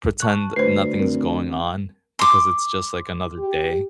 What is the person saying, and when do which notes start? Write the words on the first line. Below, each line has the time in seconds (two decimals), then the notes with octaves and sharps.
pretend nothing's going on because it's just, like, another day,
0.20 A5 C#6 F#6
0.56 D2 B4 C5 C7
0.99 C4 A#4
2.19 C6 D6
3.39 G4